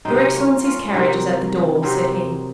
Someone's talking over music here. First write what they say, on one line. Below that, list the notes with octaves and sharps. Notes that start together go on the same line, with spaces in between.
"Your excellency's carriage is at the door," said he.
C3 D#3 F#3 C4 D#4
C#4 F4
C#4 F4
C#4
C3 D#3 F#3 C4 D#4
C3 D#3 F#3 C4 D#4